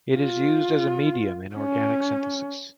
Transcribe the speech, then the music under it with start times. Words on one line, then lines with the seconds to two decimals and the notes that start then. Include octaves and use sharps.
It is used as a medium in organic synthesis.
0.17 F4
1.56 C#4